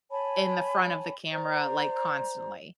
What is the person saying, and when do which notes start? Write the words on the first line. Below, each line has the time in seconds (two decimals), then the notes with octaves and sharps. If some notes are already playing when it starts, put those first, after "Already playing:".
in the front of the camera, like, constantly,
0.11 C#5 G#5 A5 B5
1.31 C5 D5 A#5